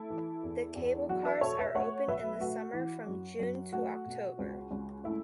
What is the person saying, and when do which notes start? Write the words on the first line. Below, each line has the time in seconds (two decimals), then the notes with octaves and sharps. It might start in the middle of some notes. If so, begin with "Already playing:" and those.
The cable cars are open in the summer from June to October.
Already playing: A3 E4 A4
0.10 E3
0.43 E2
0.75 E2
1.09 F#3 F#4
1.25 B4 E5
1.41 B2 A4 C#5
1.59 B4 E5
1.75 A3 C#5 F#5
2.08 B1 B4 E5
2.40 A3 F#4
2.73 E3
3.07 F#2
3.39 F#2
3.73 A3 F#4
4.06 B2
4.39 C#2
4.71 C#2
5.04 A3 E4